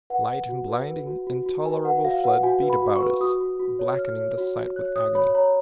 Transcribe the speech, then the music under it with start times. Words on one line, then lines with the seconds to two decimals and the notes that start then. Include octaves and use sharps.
Light in blinding, intolerable flood beat about us, blackening the sight with agony.
0.10 B4 F#5
0.30 B4
0.49 F#4
0.68 B4
0.88 B4
1.07 F#4
1.27 F#4
1.46 F#4
1.65 B4 G#5
1.85 B4 F#5
2.04 F#4 F5
2.24 B4 F#5
2.43 F#4 G#5
2.62 B4
2.70 B5
2.82 F#4
2.95 C#6
3.02 B4
3.21 F#4 D#6
3.40 F#4
3.60 F#4
3.79 C#5
3.98 F#4 F6
4.18 C#5
4.38 F#4
4.57 F#4
4.76 C#5 F#6
4.96 C#5 D#6
5.15 C#5 B5
5.35 C#5 A#5